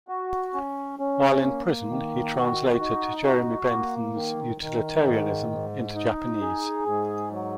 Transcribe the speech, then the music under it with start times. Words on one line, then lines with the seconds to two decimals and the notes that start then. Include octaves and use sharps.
While in prison he translated Jeremy Bentham's "Utilitarianism" into Japanese.
0.08 F#4
0.54 C#4
0.99 C#4
1.45 A#3
1.89 D#3
2.35 F#4
2.80 D#4
3.25 F#4
3.70 A#3
4.16 D#3
4.60 D#3
5.06 G#2
5.51 G#2
5.96 D#4
6.41 G#4
6.86 G#2
7.32 F#3